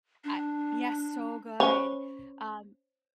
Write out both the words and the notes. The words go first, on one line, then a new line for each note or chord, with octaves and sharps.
I yes, so good. Um
D4
C#4 C5 C#5 B5